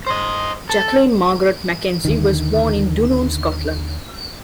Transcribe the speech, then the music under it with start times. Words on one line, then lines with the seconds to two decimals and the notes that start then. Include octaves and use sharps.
Jacqueline Margaret Mackenzie was born in Dunoon, Scotland.
0.06 C5 D#5
0.69 A4
2.05 D#2 D3 D#3